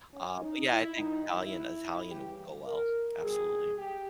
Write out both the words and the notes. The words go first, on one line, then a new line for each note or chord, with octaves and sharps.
Uh, but, yeah, I think Italian Italian would go well, absolutely.
C#4
D#4
E4
G2 D#3 G3 D#4
E4
C#3 E3 G3 G4
A#4
B2 G3 A#3 G#4
G4